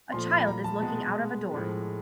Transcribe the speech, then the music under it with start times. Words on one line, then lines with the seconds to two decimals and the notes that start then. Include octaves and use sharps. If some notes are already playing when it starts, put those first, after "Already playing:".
A child is looking out of a door.
0.12 A#2 F3 A3 C6
0.30 B5
0.47 A#5
0.64 A5
0.82 B2 G#3 B3 A5
1.51 A2 F3 G#3